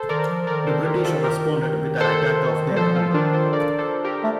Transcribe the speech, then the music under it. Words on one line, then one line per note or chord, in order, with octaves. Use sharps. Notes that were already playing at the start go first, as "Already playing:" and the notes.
The British responded with an attack of their own.
Already playing: A4 C5
D#3 A#4 D5
F3
D#3 A#4 D5
A4 C5
G4 A#4
F4 A4
G4 A#4
A4 C5
G3
F3 A4 C5
F4 A4
F3
D#3 D4 F4
A4 C5
A#4 D5
A4 C5
G4 A#4
A3